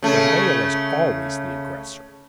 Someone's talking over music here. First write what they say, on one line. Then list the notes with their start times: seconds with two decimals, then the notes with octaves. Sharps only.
The male is always the aggressor.
0.02 C#3 A3